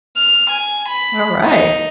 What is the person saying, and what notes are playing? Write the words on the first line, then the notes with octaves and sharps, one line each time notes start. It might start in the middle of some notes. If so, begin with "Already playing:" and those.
All right.
F6
G#5
B5
D#4